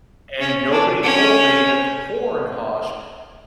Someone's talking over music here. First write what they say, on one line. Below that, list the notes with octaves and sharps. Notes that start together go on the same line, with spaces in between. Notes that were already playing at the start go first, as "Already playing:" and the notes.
and nobody told me that the corn husk
C#4
D4
C#4